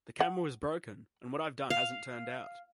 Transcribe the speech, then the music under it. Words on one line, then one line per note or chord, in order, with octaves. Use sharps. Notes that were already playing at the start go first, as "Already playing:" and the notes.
The camera was broken and what I've done hasn't turned out.
F#5
F5